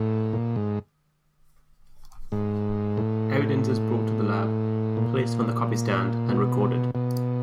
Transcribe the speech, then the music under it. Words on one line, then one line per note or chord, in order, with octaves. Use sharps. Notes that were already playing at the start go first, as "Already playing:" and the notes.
Evidence is brought to the lab, placed on the copy stand and recorded.
Already playing: A2
A#2
G#2
G#2
A2
A#2
B2
B2